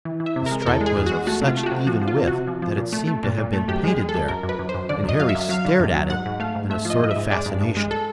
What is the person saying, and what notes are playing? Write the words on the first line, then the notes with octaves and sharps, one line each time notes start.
The stripe was of such even width that it seemed to have been painted there, and Harry stared at it in a sort of fascination.
E3
E3
E5
C3
A#4
G#3
A#4
E2 A4
G#3
G#4
E2
F#4
G#3
A3 F#4
C3
F4
A3
G4
F#4
C3
F3 F#4
F3
F4
C3
C3 F#4
F3
F3
A#2
A3
A3
A#2
A#2
A3
F#2 G4
G#3 G#4
G#3
A4
F#2
F#2 A#4
F#2
B4
F#2
C5
F#2
D3 D5
F#2 D#5
F#3 F5
E5
F#2
F#3 F5
D3
F#2
F#3
G#2 F#5
G#2
A3 F5
G#2
A3 E5
F3
D#5
G#2 D#5
E5
G#2
G#3 D5
G2
G2
G#3
A4